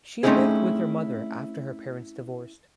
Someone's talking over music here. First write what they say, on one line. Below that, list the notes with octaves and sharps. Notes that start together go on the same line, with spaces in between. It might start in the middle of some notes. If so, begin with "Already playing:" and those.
She lived with her mother after her parents divorced.
A3 C4 C#4 D#4 E4 G#4